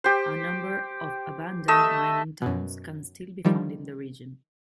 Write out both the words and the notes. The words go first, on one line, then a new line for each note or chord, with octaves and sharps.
A number of abandoned mining towns can still be found in the region.
G4 C5
A3 D#5 E5 E6
F#2 B2
D#3 F3 G3